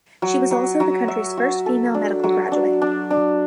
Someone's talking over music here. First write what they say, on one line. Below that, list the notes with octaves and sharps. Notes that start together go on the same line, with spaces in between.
She was also the country's first female medical graduate.
F#3
F#3
F#3
E5
F#4
A4
D4
F#3
D4
D4
D4